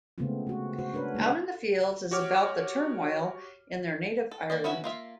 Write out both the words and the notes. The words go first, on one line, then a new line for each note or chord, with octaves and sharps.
"Out in the Fields" is about the turmoil in their native Ireland.
C#3 G#3 A3 B3 C4 F4
A3 F#4
F#4 C5
D4 A#4 B4 C#5
G#3 A#3 D#4
F#4 G4 C#5 D6 F6
A4
A#3 D5 D#5
C#4 E4 F#4 B4 E5
A#3 F4 E5